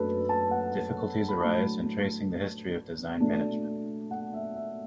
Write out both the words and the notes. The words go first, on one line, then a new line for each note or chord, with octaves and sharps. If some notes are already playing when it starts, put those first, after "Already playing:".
Difficulties arise in tracing the history of design management.
Already playing: F#2 F#3 A3 D4 A4 B4
A5
F#5
B5
A2 F#3 A3 D4 A5
B2 A3 D4
F#5
E5
E5